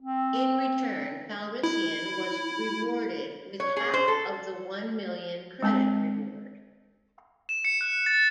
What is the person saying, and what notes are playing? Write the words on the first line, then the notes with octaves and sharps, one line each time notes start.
In return, Calrissian was rewarded with half of the one million credit reward.
C4
E4
C#5
G#4
C5
A4
G#3 C4 A5
E7
C#7
F#6
A6